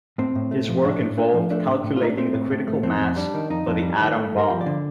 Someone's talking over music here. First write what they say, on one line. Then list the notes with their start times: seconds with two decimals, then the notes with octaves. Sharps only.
His work involved calculating the critical mass for the atom bomb.
0.18 A2 C4
0.35 A2
0.51 A3
0.68 F3
0.85 A2 D4
1.01 A2
1.18 A3 D4
1.34 F3
1.51 A3 D4
1.68 A2
1.84 A2
1.96 F4
2.01 A3 D#4
2.10 D4
2.18 A3 C4
2.34 A2
2.51 A2
2.68 A3
2.83 F2 C4
3.01 F2
3.16 G3 D4
3.34 D#3
3.50 F2 D#4
3.67 F2
3.83 G3
4.01 D#3
4.16 A3
4.33 G2
4.38 A#4
4.50 F3
4.61 D5
4.66 D3